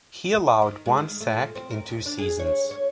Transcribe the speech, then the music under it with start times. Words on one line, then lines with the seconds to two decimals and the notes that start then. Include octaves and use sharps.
He allowed one sack in two seasons.
0.62 D#3
0.86 G#3
0.97 D#3
1.21 A3
1.33 A#2
1.55 C4
1.71 A#4
1.89 D#2
2.06 D4
2.18 G#4
2.39 C#5
2.71 C#5